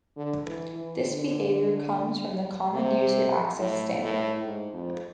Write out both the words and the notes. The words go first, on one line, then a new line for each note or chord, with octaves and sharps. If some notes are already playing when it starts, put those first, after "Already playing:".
This behavior comes from the Common User Access standard.
D3
E3
E3
D3
C3
A2
A2
G#2
F2